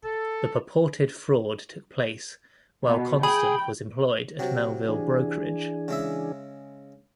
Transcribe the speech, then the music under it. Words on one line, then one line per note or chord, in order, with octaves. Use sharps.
The purported fraud took place while Constant was employed at Melville Brokerage.
A4
B2
G#4 G5 B5
C3 F#3
E3 D4 G#4
C#3 G#3 E5